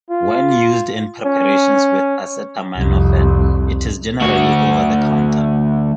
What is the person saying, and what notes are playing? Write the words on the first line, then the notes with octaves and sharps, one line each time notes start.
When used in preparations with acetaminophen it is generally over the counter.
F4
C#4
C2 F2
D2 F#4